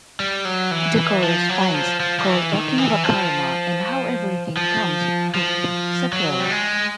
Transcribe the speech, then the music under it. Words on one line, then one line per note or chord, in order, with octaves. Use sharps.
The chorus finds Cole talking about karma and how "everything comes full circle".
G3
F#3
E3
E3
F3
F#3
F3
F3
F3
E3
D#3
E3
F3
F3
F3
F#3
G3
G#3